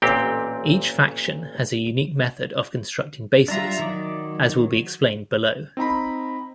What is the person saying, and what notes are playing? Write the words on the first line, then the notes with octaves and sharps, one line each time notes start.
Each faction has a unique method of constructing bases, as will be explained below.
A1 A#2 C4 G4 G5
G3 D4 F4 E5 A#5
D#3 F#3 D5
C4 D#4 A#5 B5